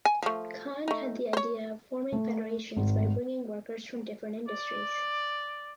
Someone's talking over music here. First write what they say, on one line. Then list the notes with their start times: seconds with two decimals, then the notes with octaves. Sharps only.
Khan had the idea of forming federations by bringing workers from different industries.
0.05 G#5
0.22 F3 A3
0.88 A3 D#4
1.33 C5 C#5
2.13 A3
2.76 G#1
4.48 D5